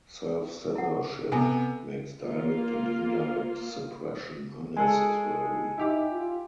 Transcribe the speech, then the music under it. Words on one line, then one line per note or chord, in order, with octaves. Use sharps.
Self-censorship makes direct and indirect suppression unnecessary.
E4 F#5
C3 B3 A4 E5 G#5
A#3 F4
G#3 G#4 A4 G#5
D#4 E4 G4 D6
F4